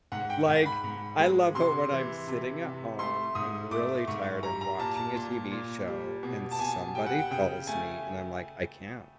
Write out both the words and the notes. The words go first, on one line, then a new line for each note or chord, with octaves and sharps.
Like, I love it when I'm sitting at home, I'm really tired, I'm watching a TV show, and somebody calls me, and I'm, like, "I can't."
G#2 F#5
G5
G#2
B5
G#2
G#3
C3 C6
E3
C3
C3
A3 C6
G#2 D#6
A3 D6
G#2 C#6
G3 A#5
A#5
A#2 A5
A5
A#2
A#2
G3
B2
A5
B2 G#5
G3 G5
F#5
G5
C#3 G5
A3 G#5